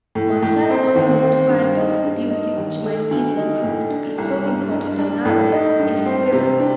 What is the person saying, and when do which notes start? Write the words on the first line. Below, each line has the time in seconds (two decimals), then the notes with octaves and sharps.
Marcella only looked quietly at the beauty which might easily prove to be so important an arrow in her quiver.
0.15 A2
0.42 A2
0.70 C4
0.96 D#2
1.23 C4
1.49 G2
1.77 D#4
2.03 G2
2.30 D#4
2.57 D#2
2.83 A3
3.11 D2
3.37 D#4
3.64 A2
3.90 D4
4.18 C2
4.45 G2
4.71 G2
4.98 D4
5.25 A2
5.52 D#4
5.79 G2
6.05 C4
6.32 C3
6.60 D4